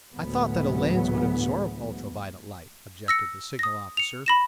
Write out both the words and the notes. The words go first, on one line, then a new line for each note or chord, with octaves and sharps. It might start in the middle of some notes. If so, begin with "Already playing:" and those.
"I thought that a lens would absorb ultra-violet light," objected the signal officer.
D2 A2 E3 F#3 G#3 B3
E6 A#6 C#7
D#6 A#6
C#7 F7
B5 A#6 E7